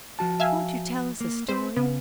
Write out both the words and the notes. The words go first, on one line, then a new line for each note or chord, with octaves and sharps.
"Won't you tell us a story?"
F3 F#4 A5
E5 F5 G#5
A#3
C4 B4 C5
C#3 B3